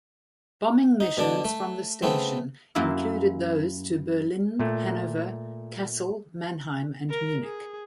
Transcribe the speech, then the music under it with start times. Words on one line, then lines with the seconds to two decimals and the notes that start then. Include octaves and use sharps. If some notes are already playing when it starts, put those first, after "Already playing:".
Bombing missions from the station included those to Berlin, Hanover, Kassel, Mannheim and Munich.
1.00 D#4
1.17 B2 D3 D4 D6
1.45 A3
2.02 C#3 A3 B3 C4
2.75 F#2 A#3 E4 F4 E5
4.60 A#2 A3
7.10 A#4
7.44 G#4